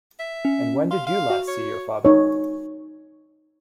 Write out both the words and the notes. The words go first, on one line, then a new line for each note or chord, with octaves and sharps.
And When Did You Last See Your Father?
E5
C#4
F5 C6
F5
F#4
C#5
D#4 C#5